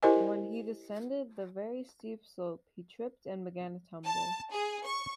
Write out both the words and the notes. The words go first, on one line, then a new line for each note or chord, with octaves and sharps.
When he descended the very steep slope, he tripped and began a tumble.
E4 G4 A#4 C5 D#5 G#5
A5
G#4
C#6